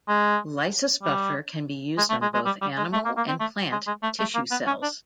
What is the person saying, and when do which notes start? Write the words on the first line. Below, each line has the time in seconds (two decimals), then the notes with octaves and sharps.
Lysis buffer can be used on both animal and plant tissue cells.
0.09 G#3
1.03 G3
1.98 G#3
2.10 A3
2.22 G#3
2.34 G#3
2.46 G3
2.61 G3
2.77 G#3
2.93 A3
3.05 A#3
3.17 A#3
3.28 C4
3.40 A3
3.72 G#3
3.87 G#3
4.03 A3
4.19 A3
4.35 A#3
4.51 B3
4.67 C#4
4.82 D4